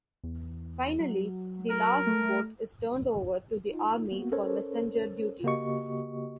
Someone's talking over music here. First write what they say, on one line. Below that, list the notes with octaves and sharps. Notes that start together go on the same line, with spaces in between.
Finally, the last boat is turned over to the Army for messenger duty.
E2
F#3
A#4
A3
D#4 F4
A#3 B3 F#4
C#4 A4 A#4 C5 C#5
C#3 A#3 F#4 G4 D#5 C#6